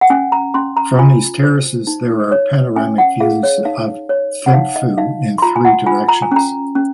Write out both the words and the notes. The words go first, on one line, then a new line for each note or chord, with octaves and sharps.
From these terraces there are panoramic views of Thimphu in three directions.
F#5
C#4 G#5
A#5
C#4 C6
A#5
F4 G#5
C5
D#4
C#5
C#4 G#5
F#5
G#4 F5
C#5
D#4 F5
C#5
F#5
D#4 F5
D#5
D#4 F5
C6
F4 A#5
G#5
F#5
F4 G#5
A#5
G#5
C#4 A#5
C#4